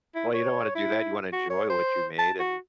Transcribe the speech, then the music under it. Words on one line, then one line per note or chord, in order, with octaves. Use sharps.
Well, you don't wanna do that, you wanna enjoy what you made, and,
E4
C#5
E4
F#4
C#5
C5
A5
F#4